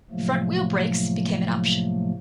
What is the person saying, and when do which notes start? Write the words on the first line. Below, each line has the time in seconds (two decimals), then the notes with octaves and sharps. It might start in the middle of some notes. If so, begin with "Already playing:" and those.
Front-wheel brakes became an option.
0.11 A2 C3 F3 F#3 A3 A#3